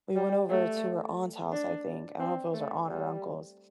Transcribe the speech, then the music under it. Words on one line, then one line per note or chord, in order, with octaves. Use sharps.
we went over to her aunt's house, I think- I don't know if it was her aunt or uncle's-
G3
A3
D4
C4
A3
G3